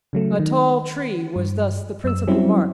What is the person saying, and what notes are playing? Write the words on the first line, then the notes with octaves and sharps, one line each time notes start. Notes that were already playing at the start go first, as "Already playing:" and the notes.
A tall tree was thus the principal mark.
C#3 F#3 A3
D#3
G2
F#2 E6
F#3 G3 C4 C#4 E4